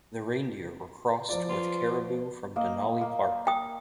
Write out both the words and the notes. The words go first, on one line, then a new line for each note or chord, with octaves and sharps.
The reindeer were crossed with caribou from Denali Park.
F3 F4 D5
F4 B4
A#3 D#5
A#3
G5 D#6